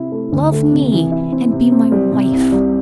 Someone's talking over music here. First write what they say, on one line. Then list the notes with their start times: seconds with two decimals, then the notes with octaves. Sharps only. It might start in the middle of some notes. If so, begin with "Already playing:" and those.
Love me and be my wife.
Already playing: C3 E4
0.12 A3
0.32 D2
0.52 A3
0.72 C3
0.92 E3
1.11 E4
1.32 C4
1.52 C3
1.72 C4
1.92 G3
2.12 C3
2.32 C2
2.52 G3